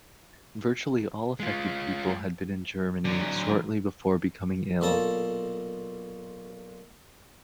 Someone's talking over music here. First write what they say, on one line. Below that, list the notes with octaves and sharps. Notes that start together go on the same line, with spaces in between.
Virtually all affected people had been in Germany shortly before becoming ill.
G#3 F4
D3 F#3
B1 A#2 A4 A5 D#6